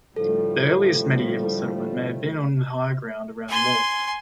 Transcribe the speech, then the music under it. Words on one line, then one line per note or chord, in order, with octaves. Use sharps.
The earliest medieval settlement may have been on the higher ground around Wall.
A2 D3 F3 G3 A3 A4
G#5 C6